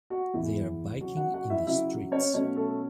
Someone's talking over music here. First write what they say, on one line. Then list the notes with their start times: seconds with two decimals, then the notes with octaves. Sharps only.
They are biking in the streets.
0.10 F#4
0.33 E2 E3 B3 E4
1.01 C#3 F#3 C#4 F#4
1.17 F#4 F#5
1.34 F#4 F#5
1.50 E4 E5
1.67 C#3 F#3 C#4 E4 E5
2.11 C#4 C#5
2.34 B2 F#3 A3 C#4 C#5
2.56 A3 A4